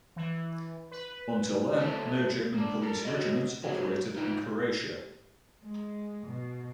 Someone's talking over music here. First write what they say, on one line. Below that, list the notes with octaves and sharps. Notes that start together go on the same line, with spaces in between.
Until then no German police regiments operated in Croatia.
E3
B4
A3 C4 C#4 E4 A4
A#3 D4
A4 A#4
F#3 G4 D#5
A#2 F#3 G#3 C4
D#4 F4 B4 G5
G#3
B2